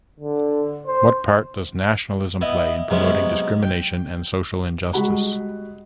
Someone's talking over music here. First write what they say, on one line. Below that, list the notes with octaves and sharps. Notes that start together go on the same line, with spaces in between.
What part does nationalism play in promoting discrimination and social injustice?
D3
C5
B3 E4 D#5
C3 F#3 G#3 B3 C#4
G5
G3 G#3 F#4 F#5 B5